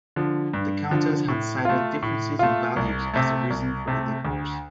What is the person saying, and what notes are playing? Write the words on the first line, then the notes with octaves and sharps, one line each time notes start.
The Countess had cited differences in values as the reason for the divorce.
D3 F3
G2
D3 F3
A2
A3 F4
A2
A3 F4
C2
C3 A3
C2
C3 A3
D2